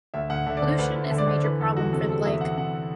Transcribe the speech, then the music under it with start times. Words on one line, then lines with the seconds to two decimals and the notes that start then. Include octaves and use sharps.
Pollution is a major problem for the lake.
0.14 D2 E5
0.30 D2 F#5
0.46 D3 E5
0.57 D5
0.62 D3
0.67 C5
0.78 D2 B4
0.94 D2
1.04 E5
1.11 D3
1.18 D5
1.27 D3 C5
1.43 E3 B4
1.60 E2 A4
1.76 E2 F#4
1.93 C3 A4
2.09 E3 A4
2.25 E2 E5
2.41 E2 F#5
2.57 C3 F#5